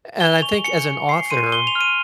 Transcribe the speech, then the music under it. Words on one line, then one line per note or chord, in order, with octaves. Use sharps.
and I think as an author
G#5 G7
C#6 F7
G#5 C#7
C#6
G#5 C7
C6 D#7
C6 G7
F7
F6
D#7